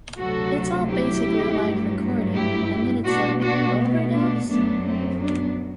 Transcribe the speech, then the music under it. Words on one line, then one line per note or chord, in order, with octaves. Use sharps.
It's all basically live recording, and then it's like, 'Overdubs?
D2 C3 F#3 F#4 A4
E4 G4
G2 F#3 A3
E4 G4
B2 A3 D4 F#4
D4 F#4
B3
B3 D4
F#2 F#3 A3 B3 D4
A3 C4
B3 D4